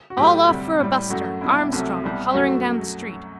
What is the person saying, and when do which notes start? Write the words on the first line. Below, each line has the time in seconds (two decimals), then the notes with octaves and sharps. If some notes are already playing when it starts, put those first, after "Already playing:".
All off for a buster, armstrong, hollering down the street.
0.10 F#4
0.17 A2 F#3 A3 G4
0.49 D2 C3 G3
0.80 A2 G3
1.10 F#2 F#3 A3 F#4
1.41 C2 B2 G3 E4
1.72 C2 C3 F#3 A3
2.04 C2 B2 G3
2.34 F#2 F#3 A3 F#4